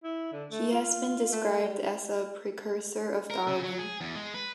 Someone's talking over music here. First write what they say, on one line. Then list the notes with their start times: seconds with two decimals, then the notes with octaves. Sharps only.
He has been described as a "precursor of Darwin".
0.04 E4
0.32 D3
0.51 A3
0.72 F4
1.32 A3
1.63 G3
3.30 A#4
3.47 C#3
3.64 F#3
3.79 G#4
4.01 E2
4.15 G#3
4.34 B4